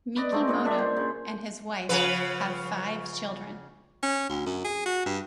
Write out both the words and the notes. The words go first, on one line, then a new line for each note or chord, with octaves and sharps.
Mikimoto and his wife have five children.
B4 D5 D#5
G#3 A3 C4
A#2 C#3 D#5
D4 E5
C5
C#3
C#3 F3 B4
C#4
D2
F#2
G#4
F#4
G2